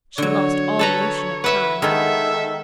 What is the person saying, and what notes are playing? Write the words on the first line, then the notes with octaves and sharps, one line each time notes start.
She lost all notion of time.
D3 F#3 C#5
A4 B4 A#5
B4 E5 F#5
D#3 G#3 B3 A4 E5